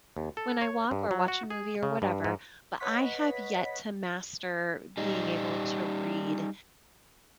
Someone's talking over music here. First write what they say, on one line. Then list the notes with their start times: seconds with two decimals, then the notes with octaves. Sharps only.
when I walk or watch a movie, or whatever, but I have yet to master being able to read
0.17 D#2
0.37 A4
0.61 C#5
0.91 G2
1.11 F#3
1.28 F#4
1.50 G#4
1.83 C#3
2.02 G2
2.24 G#2
2.80 B4 C#5 D#5 F#5 B6
4.97 G3 D#4